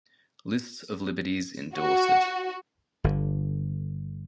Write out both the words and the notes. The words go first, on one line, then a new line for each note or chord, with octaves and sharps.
List of liberties in Dorset.
F#4
G1 D3